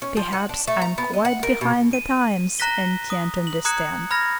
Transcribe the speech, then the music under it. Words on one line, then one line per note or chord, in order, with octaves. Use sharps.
Perhaps I am quite behind the times and can't understand.
C#4
F3
F#5
D4
A3
A#5
B3
D#5
F#5
A#4
B2
D#7
A#5 F#6 A#6 B6 G7
D#6
F#7
A#5 D#6 F#6 G#6 C#7
B5 F6 G#6 A#6